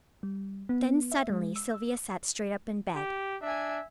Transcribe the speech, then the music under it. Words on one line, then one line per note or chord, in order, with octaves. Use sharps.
Then suddenly Sylvia sat straight up in bed.
G3
B3
E5
G#3
E6
G4
D4 E5 G#5